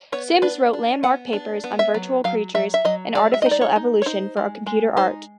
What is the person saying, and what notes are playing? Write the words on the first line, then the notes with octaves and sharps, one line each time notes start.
Sims wrote landmark papers on virtual creatures and artificial evolution for computer art.
B3 C#5
D4 B4
D4
B3 F#5
D4
B3
E5
F#3
F#3 F5
F#3 E5
E5
F#3 D#5
G#3 D5
E5
D#4 D#5
D5
C#5
D#4
C#5
D#4 C5
G#3
G#3
D#4 C5